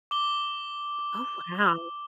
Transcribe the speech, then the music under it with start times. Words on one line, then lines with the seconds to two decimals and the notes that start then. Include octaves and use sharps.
Oh, wow.
0.11 D6 G7